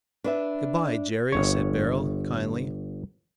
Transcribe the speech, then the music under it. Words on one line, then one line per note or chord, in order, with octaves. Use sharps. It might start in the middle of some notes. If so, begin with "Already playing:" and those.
"Good-bye, Jerry," said Beryl, kindly.
D4 B4 E5
G1 C#5